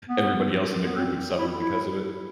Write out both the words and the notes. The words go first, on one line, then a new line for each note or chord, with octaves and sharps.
everybody else in the group would suffer because of it.
B3
B3
C4
E4
E4